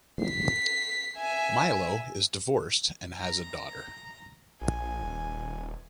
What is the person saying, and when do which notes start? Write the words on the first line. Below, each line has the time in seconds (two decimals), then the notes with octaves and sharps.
Milo is divorced and has a daughter.
0.23 B6 C7
1.17 E5 G#5
3.21 A#5
4.61 A#1 G#5
5.03 D#1